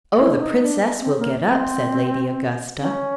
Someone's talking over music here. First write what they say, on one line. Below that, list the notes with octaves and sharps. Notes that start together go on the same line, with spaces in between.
Oh the Princess will get up!' said Lady Augusta.
E4
D4
D#4
D4
C4
A#3
C4
C#4